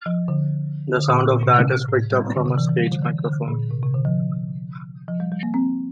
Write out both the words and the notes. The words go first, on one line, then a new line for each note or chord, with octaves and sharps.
The sound of that is picked up from a stage microphone.
F3
D3
D3
A#2
A#2
C3
A2
G3
D3
C3
E3
E3
G3
D3
E3
D3
A#2
C3
C3
D3
F3
F3
G3
G3
A#3
C4